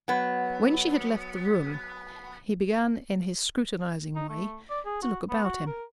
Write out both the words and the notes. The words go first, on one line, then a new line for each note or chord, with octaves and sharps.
When she had left the room, he began in his scrutinising way to look about him.
F#3 B3
D#4
A3
D5
G#4
F#4
B3
F#4
A#4